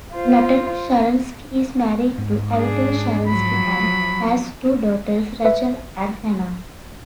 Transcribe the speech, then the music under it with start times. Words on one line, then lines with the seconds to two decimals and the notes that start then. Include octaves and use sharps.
Natan Sharansky is married to Avital Sharansky and has two daughters, Rachel and Hannah.
0.14 F4 C5
2.18 G#2
2.54 D4 G#4
3.27 F3 F#3 B5
5.45 B4 E5